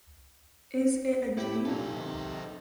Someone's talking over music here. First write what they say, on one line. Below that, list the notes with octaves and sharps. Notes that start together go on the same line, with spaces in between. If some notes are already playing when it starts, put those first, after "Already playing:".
Is It a Dream?
A2 E4 G4 G5
G2 A#2 D#4 A4
C3 D#3